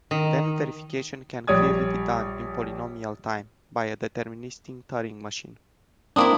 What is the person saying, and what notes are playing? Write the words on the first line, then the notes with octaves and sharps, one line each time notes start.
Then verification can clearly be done in polynomial time by a deterministic Turing machine.
D#3
A#1 G3 C#5 D5 D#6 G#6
A#3 C4 D4 E4 D5 D#6